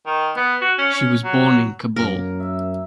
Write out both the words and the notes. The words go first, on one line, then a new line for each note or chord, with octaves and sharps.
She was born in Kabul.
D#3
B3
F#4
C#4
C#4
F#3
F#2 A#3 A#4
E5